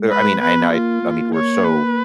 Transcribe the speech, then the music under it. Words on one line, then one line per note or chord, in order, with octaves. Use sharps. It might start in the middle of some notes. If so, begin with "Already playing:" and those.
There I mean, and I I mean, we're so
Already playing: G#3
B4
B3 B4
A#3 F4
A#3
C#5
B4